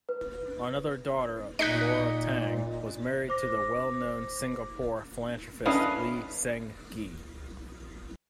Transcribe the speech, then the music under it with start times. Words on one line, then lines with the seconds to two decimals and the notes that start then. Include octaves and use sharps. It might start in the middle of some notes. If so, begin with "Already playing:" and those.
Another daughter Lora Tang was married to the well-known Singapore philanthropist Lee Seng Gee.
0.09 B4
1.59 A#2 D#4 D#5 F#6 B6 C#7
3.29 C5 D6 A#6
5.66 C#4 D4 E4 B4 D#5 F5